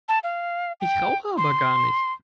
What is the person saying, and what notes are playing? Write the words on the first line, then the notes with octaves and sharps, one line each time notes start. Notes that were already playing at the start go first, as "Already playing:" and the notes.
Ich rauche aber gar nicht!
A5
F5
G5
C6